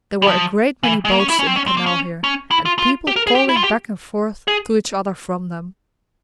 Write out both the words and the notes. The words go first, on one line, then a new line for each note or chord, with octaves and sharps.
There were a great many boats in the canal here, and people calling back and forth to each other from them.
G3
F3
E3
G#3
A#3
C#4
E4
C#4
C4
C#4
C4
A#3
C#4
C#4
E4
F4
F4
G4
A#4
G#4
G4
E4
F4
G4
G#4